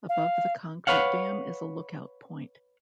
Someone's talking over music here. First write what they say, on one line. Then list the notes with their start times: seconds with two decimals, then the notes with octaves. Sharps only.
Above the concrete dam is a lookout point.
0.09 F5
0.87 B4 C#5 F5 F#5